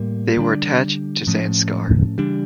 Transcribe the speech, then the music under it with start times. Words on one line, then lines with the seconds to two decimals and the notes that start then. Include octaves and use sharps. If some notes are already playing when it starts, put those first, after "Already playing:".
They were attached to Zanskar.
Already playing: A2 G3 A#3
0.37 D3 G3 D4
1.27 A2 F3 A3 C#4
2.18 C#3 E3 G3 D4